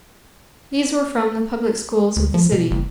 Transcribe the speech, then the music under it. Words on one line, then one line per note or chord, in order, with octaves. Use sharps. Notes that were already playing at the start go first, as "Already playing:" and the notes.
These were from the public schools of the city.
D2
F3
B2
F#1